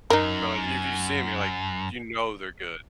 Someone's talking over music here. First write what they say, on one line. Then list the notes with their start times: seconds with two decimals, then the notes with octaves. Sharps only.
but like if you see him, you're like, you know, they're good.
0.10 F#2 D#4 A#4